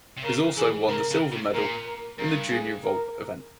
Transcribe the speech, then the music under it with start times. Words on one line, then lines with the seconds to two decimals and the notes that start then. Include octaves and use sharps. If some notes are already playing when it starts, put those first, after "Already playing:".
He also won the silver medal in the junior vault event.
0.17 C3
0.24 C#3 A#4
0.57 E3 G#4
0.89 C#3 A#4
1.11 C#3
1.32 C3
1.54 A#2 A#4
1.86 A#4
2.18 G2 A#4
2.51 G#4
2.84 A#4